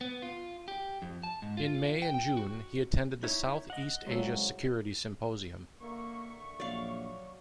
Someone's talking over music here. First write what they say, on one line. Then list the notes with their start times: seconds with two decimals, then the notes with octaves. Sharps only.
In May and June, he attended the South East Asia Security Symposium.
0.01 B3
0.22 F4
0.68 G4
1.02 F2
1.23 A5
1.42 G#2
1.57 F4
2.02 G5
2.14 G5
2.37 F#4
3.23 D#4 E4 C#5
3.70 D#5 F#5
4.07 C2 C#3 F#3 G#3 A4
5.81 D3 A#3 E5 C#6
6.60 A#1 F#3 D5 F5